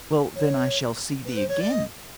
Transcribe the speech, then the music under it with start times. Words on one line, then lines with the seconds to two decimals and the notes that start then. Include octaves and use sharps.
Well; then I shall see thee again?
0.35 C#5
1.25 B4
1.36 C5
1.48 C#5
1.60 D5
1.72 D#5